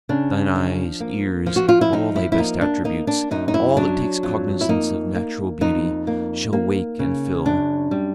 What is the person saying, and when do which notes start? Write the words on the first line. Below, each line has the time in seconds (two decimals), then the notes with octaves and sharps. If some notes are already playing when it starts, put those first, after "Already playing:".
Thine eyes, ears--all thy best attributes--all that takes cognizance of natural beauty, Shall wake and fill.
0.09 C#3 D4
0.55 F3
1.00 A#3
1.46 F3
1.56 F#4
1.69 F4
1.81 E4
1.92 F3 D#4
2.16 E4
2.32 E4
2.38 A#3 D#4
2.61 D4
2.84 A#3 D#4
3.07 D4
3.31 F#2 D#4
3.48 D#4
3.54 E4
3.77 F#3 D4
4.23 F2
4.61 E4
4.69 A#3 D#4
5.15 A#3
5.61 F2 D#4
6.07 A#3
6.53 A#3
6.99 C#3
7.45 F#2 D4
7.91 G3